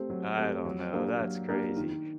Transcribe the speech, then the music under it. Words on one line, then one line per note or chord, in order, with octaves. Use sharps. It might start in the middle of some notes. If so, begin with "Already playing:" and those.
I don't know, that's crazy.
Already playing: A3 C4 G4
F#3
A3 C4 G4
F#3
A#3 D4 G4 A#4
F#3
A#3 D4 G4 A#4
D#3